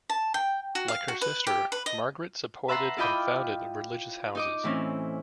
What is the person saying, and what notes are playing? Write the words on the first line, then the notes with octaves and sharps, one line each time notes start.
Like her sister, Margaret supported and founded religious houses.
A5
G5
F#4
F5
F#4
B4
G4
B4
D#5
B4 E5 F#5 A5 A#5 C6
E4 F4 D#5 G5 B5 D6
D#4 D#5 D6
A2 E3 C4 C#4